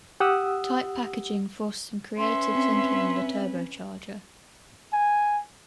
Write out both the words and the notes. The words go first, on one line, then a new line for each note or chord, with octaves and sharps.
Tight packaging forced some creative thinking on the turbocharger.
G4 F#5 D#6 E6
C#4 B4 E5 C6
C4
G#5